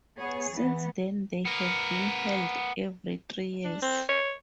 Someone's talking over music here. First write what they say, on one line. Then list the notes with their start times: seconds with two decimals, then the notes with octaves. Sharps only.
Since then they have been held every three years.
0.17 B3 G#4 C#5
0.50 E3 B3
1.45 B3 A#4
3.65 D4
3.82 C4
4.09 C#5